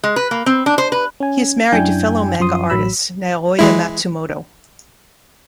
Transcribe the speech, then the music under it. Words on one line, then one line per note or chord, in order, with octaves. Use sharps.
He is married to fellow manga artist, Naoya Matsumoto.
G#3
B4
A#3
C4
D4
C5
B4
C#4 G#5
F#2 D4 E4 G5 G#5 G6
F#2 F3 C6 D#6
A1 F#3 B5 E6
E3 G#3 E4